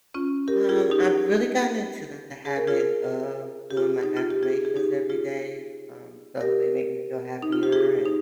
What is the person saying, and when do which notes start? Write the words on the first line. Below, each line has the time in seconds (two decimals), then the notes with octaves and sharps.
Um, I've really gotten into the habit of doing my affirmations every day, um, so they make me feel happier and,
0.14 C#4 F4
0.48 G4 A#4
0.69 F4 G#4
0.91 D#4 G4
2.45 G#4
2.57 A#4
2.67 F4 G#4
3.71 G4
3.77 F4 G#4
4.03 D#4
4.17 F4
4.30 G4
4.43 F4 G#4
4.65 G#4
4.76 D#4 G4
5.10 F4 G#4
6.41 G4 A#4
7.42 D#4
7.52 F4
7.63 G4
7.72 F4 G#4
8.06 D#4